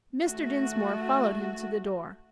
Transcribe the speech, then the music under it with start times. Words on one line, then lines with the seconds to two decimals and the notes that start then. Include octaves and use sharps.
Mr. Dinsmore followed him to the door.
0.25 A3 F#4